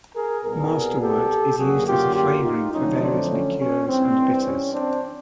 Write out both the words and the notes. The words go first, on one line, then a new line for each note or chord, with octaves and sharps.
Masterwort is used as a flavouring for various liqueurs and bitters.
G#4 A#4
C2 B2 G3 B3 G#4 A#4
G4 A4
F#2 D3 F#3 A#3 F#4 G#4
F4 G4
F4 G4
D#4 F4
F2 D3 F#3 A3 C#4 D#4
C4 D4
C#4
C#4
G2 E3 G3 C4
C#4
C4 D4